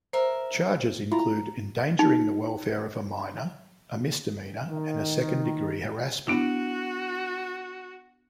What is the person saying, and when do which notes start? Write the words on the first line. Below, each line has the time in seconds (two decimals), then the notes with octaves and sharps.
Charges include, Endangering the Welfare of a Minor, a misdemeanor and second-degree harassment.
0.13 A#4 C5 E5
1.12 E4 F4 A#5
1.99 D#4
4.69 D#3
6.27 B3 D4 E4 F#4